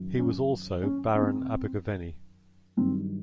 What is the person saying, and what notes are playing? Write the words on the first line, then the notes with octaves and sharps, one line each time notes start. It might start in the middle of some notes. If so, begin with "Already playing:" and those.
He was also Baron Abergavenny.
Already playing: F#2 D#3 F#3
C#4
C#4
C#4
C4
G2 D#3 F#3 C4